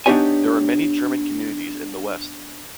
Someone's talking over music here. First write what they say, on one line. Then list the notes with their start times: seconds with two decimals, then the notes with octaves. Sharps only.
There are many German communities in the west.
0.06 B3 D4 D#4 G4 C#5 G#5